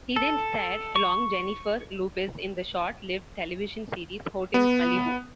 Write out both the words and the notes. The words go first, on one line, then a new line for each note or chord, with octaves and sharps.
He then starred along Jennifer Lopez in the short-lived television series, "Hotel Malibu".
A4
C#6
B3